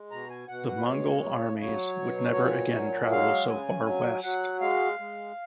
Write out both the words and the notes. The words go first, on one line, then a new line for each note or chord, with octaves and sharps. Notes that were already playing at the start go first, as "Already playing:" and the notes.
The Mongol armies would never again travel so far west.
Already playing: G#3
B2 A#5
G#5
B2 F#5
F#5
B4
G#3 C#5
C#3
F#3 C#5
B2
A#2
F#3
G#3 F5
C#3 G#5
F#3 G#5
F#3 F#5
G#3 F5
G#3